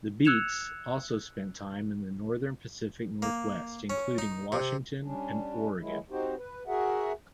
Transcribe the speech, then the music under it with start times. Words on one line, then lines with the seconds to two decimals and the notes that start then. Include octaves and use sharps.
The Beats also spent time in the Northern Pacific Northwest including Washington and Oregon.
0.25 E6 F#6 G#6 C#7 E7 F7
3.22 A#3
3.90 C#4
4.18 D#4
4.52 C3
5.04 G3 C#4 D4
5.79 D#3 E3 F#3 G#3 E4
6.10 C4 D#4 F#4 G4 C5
6.37 B4
6.67 F#4 G#4 A#4 E5 F#5